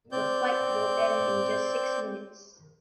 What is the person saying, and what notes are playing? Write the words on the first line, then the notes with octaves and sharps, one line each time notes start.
The fight will end in just six minutes.
C4 D5 G6